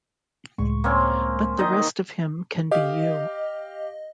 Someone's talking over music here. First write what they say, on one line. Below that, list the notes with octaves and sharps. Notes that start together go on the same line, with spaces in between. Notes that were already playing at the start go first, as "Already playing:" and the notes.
But the rest of him can be you.
C#2 A2 G#3 C#6
A#3 C4 C#4
D#3 D#4 D#5
G4 D#5 F5